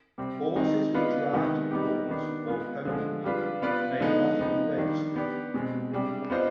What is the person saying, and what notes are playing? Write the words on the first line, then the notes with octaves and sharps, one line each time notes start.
Horses with draft horse or pony blood may not be registered.
C3 G3 C4
D#3 G#3 C4 D#4
B3 D4 F4 B4 D#5
C3 D#3 G#3 B3
G3 B3 D#4 G4
D#3 B3 D4
G#3 B3 F4
D3 F3 G#3
G3 D4 F4 B4
B3 F4 B4 D5
D3 F3 G#3 B3 D#4
C3 F3 B3 D#4
D#3 G3 D4
B3 D4 G4 D5
B2 G#3 C4
C3 G3 D4 G#4
B3 D4 F4 C5 D#5